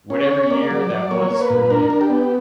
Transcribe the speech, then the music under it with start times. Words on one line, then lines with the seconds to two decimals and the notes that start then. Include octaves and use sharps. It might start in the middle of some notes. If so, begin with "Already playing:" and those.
Whatever year that was for you.
0.10 C#4
0.21 C#5
0.31 C#4
0.50 A#3 D5
0.71 F#3
0.91 F#3
1.11 A#3 C#5
1.31 A#3
1.40 B4
1.50 A#2
1.70 D4 A#4
1.90 D4
2.01 G4
2.10 B3